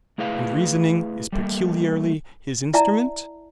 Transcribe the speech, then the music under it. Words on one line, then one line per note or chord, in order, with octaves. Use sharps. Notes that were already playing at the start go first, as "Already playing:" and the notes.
And reasoning is peculiarly his instrument?
A3 E4 G#4 B4 F5
G3 A3 A#3
E4 D5 E5 A5 A#5